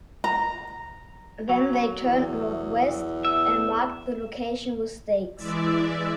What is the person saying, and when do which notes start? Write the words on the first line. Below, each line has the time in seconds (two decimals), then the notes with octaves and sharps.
Then they turned northwest and marked the location with stakes.
0.24 A#5
1.49 F#3
2.04 E2
3.25 E5
5.37 E3 G#3 D5 E5